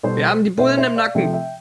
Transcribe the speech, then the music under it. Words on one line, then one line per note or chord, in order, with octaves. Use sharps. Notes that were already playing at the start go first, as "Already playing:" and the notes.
Wir haben die Bullen im Nacken.
B2 G3 A4 C5
B2 A3 C5 E5
C5 E5
D5 F5
C3 F3 A3 E5 G5
E5 G5